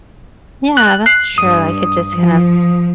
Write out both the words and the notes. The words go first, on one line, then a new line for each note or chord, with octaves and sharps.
Yeah, that's true, I could just kind of
F#6
F#6 C7
G2 D#6
F3